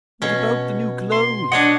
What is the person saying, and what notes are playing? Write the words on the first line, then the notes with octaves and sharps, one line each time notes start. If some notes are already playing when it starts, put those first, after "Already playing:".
"What about the new clothes?"
B2 C#4
C6
D4 C#5 D#5 F#5